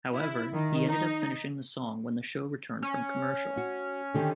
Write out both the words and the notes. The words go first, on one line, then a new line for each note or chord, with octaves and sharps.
However, he ended up finishing the song when the show returned from commercial.
E4
D#3
D#4
C#4
F#4
D3 D#3 G4